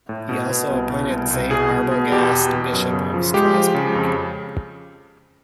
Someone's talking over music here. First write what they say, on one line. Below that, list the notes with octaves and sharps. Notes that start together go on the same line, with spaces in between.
He also appointed Saint Arbogast bishop of Strasbourg.
A2
B2
B2
C2
B2
C2
C2
B2 G#4
B2
B2
E2 G4
B2
B2
F#2
C#3
F3
G#3 G4
F3
C#3
F2